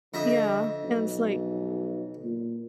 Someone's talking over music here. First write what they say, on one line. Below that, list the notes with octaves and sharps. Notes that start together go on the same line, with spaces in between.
Yeah, and it's, like
F2 D3 D#5 E5
B1
A#2